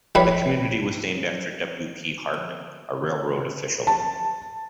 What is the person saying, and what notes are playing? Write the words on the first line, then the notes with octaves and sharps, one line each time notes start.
The community was named after W. P. Hartman, a railroad official.
G3 E4 B4 C#5
A5